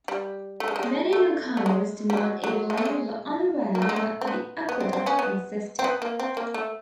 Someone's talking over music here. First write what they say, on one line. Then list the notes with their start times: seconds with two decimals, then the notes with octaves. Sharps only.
Many newcomers to Mount Evelyn were unaware that the aqueduct existed.
0.08 G3
0.60 A3
0.68 G#3
0.76 G3
0.83 G#3
1.13 A3
1.57 A3
1.66 G#3
2.10 G3
2.17 F#3
2.44 F#3
2.70 G#3
2.77 A3
2.85 G#3
3.75 A#3
3.82 A3
3.89 G#3
3.96 A3
4.21 C4
4.27 B3
4.69 B3
4.81 C4
4.93 C4
5.06 B3 C#4
5.19 B3
5.79 C4
5.84 B3
6.02 A#3
6.20 C4
6.37 A#3
6.54 A3